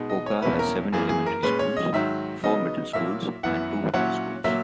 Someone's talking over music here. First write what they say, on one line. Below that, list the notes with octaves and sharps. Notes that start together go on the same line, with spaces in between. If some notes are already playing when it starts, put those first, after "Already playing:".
Oga has seven elementary schools, four middle schools and two high schools.
Already playing: B2 G#3 D#4
D#5
C#5
E2 B2 A#3 C#4 E4 B4
A#4
F#2 E3 A#3 G#4
G#4
A#4
A#2 G#3 C#4 B4
C#5
D#5
G#2 D#3 F#3 E5
C#3 F#3 B3 D#4 D#5
A#2 F#3 A#3 E4 E5
F#2 E3 B3 E4 F#5
A#2 F#3 C#4 E4 F#5
A#2 F#3 A#3 E5